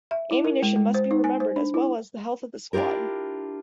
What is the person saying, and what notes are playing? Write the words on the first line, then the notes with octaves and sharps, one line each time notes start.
Ammunition must be remembered as well as the health of the squad.
E5
E4
A#4
G#3
G#3
C5
D#4
G#5
C5
D4
E4
D4 E4 F4 G4 A#4